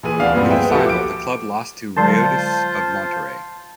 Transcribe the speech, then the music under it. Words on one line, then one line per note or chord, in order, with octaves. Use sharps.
In the final, the club lost to Rayados of Monterrey.
A#2 E3 G#4 D#7
D2 E3 B3 D4 F5
G2 A#2 F3 B3 C4
G#4 B4 E5 G5
F3 F#4 G4 A4
D6 D7
D3 F#3 G#3 F4 C5 A5 C6